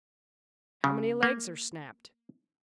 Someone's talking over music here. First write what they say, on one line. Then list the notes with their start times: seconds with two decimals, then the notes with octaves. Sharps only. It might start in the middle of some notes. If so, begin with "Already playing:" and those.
"How many legs are snapped?"
0.84 C#3
1.23 A#3